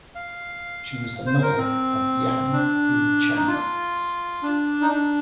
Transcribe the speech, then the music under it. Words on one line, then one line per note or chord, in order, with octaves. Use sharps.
She was the mother of Yan Wucheng.
F5
C5
A#4
C4
D4
D#4
F4
D4
D#4
D4